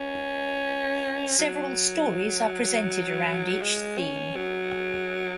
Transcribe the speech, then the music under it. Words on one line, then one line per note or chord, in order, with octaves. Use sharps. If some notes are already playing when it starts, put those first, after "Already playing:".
Several stories are presented around each theme.
Already playing: C#4
F#3
G#3
C#4
F#3